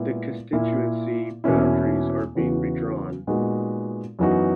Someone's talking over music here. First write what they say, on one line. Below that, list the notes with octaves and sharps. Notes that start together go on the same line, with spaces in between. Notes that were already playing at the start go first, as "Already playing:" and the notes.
The constituency boundaries are being redrawn.
Already playing: A#2 G#3 B3 E4
A#2 A#3 E4
E2 B2 A#3 C#4 E4
E2 C#3 E3 B3 F#4
A#2 G#3 B3 D#4 F#4
F#2 E3 B3 D#4 F#4